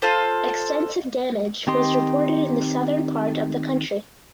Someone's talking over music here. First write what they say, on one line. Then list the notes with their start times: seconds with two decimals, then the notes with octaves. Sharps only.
Extensive damage was reported in the southern part of the country.
0.02 F4 A4 C5
1.67 D#3 C4 G4 D#5 C6